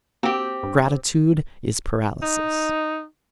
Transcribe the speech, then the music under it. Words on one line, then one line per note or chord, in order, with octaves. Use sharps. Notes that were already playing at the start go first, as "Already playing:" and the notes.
Gratitude is paralysis.
A#3 C4 F#4 G4
G2
D#4